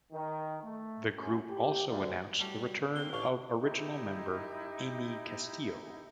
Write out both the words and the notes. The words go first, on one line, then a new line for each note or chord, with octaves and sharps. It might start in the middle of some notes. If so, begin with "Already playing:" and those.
The group also announced the return of original member, Aimee Castillo.
D#3
A3
F#2
G4
D2
A2 F#3 G3 F#4 A5
A#3 C4 G7
A1 D4 F5 C#6
D#4 E4 G4